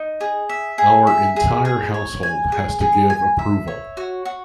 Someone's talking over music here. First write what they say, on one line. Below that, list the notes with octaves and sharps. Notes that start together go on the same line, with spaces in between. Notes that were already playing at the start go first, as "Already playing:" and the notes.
Our entire household has to give approval.
Already playing: D#4
G#4
E5
G#4
E5
G#4
G#4
C#5
G#5
G#4
G#4
G#5
E5
C#5
F#4
F#4